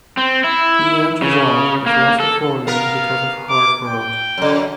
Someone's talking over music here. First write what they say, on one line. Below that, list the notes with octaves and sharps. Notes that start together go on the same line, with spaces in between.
The end result is loss of volume because of heart rot.
C4
E4
C#3
A#3
A4
B3 A#4 F5
D6
G5
F#2 C#3